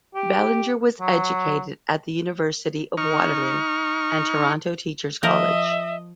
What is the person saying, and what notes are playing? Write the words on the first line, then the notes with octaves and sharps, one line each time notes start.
Ballinger was educated at the University of Waterloo and Toronto Teacher's College.
G4
F#3
D#4 C#6 F6
F3 A#4 D#5 E5